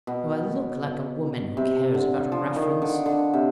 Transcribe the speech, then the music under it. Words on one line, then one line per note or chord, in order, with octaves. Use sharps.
'Do I look like a woman who cares about a reference?
B2
C3
D3
F3
D#3
D3
D3
C3